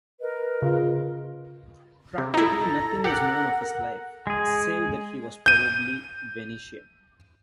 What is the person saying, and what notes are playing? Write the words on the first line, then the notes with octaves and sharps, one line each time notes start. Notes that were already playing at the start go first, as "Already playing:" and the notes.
Practically nothing is known of his life, save that he was probably Venetian.
A#4 B4 D#5
C#3 F4
C3
D#4 E4 A4 A#5
G4 A#4 F#5
G#3 G#4
G6 D#7